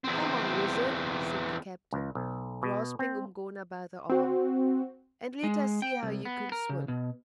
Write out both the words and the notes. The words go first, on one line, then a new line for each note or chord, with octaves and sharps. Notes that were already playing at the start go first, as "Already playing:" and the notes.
"Come on, Wizard," said the captain, grasping Umgona by the arm, "and let us see how you can swim."
E2 C4
C#2
B1
B2
C4
C4 F#4
G#3
G5
C2
B3
A#4
C#3
B2